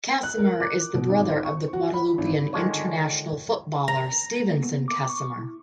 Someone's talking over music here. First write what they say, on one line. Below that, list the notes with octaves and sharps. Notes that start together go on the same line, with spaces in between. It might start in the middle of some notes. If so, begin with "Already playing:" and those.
Casimir is the brother of the Guadeloupean international footballer Stevenson Casimir.
F#6
A#4
D6
B2
G#1
C5
C#6
F#4
B5
G#1
D3 D#3 G#3 D4 F4 C#5
A#5
A#3
B3
D6
C#6
E4